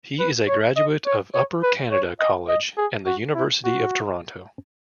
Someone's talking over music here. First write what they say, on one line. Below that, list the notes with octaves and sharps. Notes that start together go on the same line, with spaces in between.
He is a graduate of Upper Canada College and the University of Toronto.
B4
C#5
D#5
C#5
C#5
B4
C#5
D#5
D#5
G#4
F#4
E4
F#4